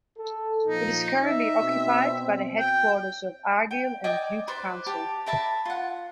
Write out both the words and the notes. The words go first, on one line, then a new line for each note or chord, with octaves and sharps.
It is currently occupied by the headquarters of Argyll and Bute Council.
A4
A#2 F3 D#4
D#4 E5
B2 C4
G5
G5
D5 D#5 G5 G#5
B4 C5 D5
G4 A5
A#4 E5 A5 B5
F4 F#5